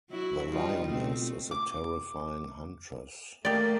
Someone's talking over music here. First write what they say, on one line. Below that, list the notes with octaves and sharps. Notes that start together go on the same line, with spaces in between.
The lioness is a terrifying huntress.
F#3 E4 F#4
G3 D#4 F4
B2 A3 C4
D6
A3 A#3 G4 D5 D#5